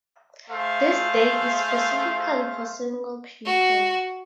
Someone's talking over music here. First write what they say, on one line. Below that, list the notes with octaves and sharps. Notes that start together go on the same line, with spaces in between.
This day is specifically for single people.
A3 G#4 C5 F5
F#4